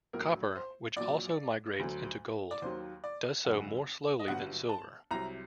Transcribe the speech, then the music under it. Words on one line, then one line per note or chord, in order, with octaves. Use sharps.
Copper, which also migrates into gold, does so more slowly than silver.
A#1 A2 F#3 A#4
C5
A#1 A#2 F#3 D5
D2 D3 F#3
D5
D#2 D#3 F#3 C5
D5
F#1 F#2 D3 F#5
D#5
G1 G2 F#3 F#5
A5
C2 C3 F#3 A#5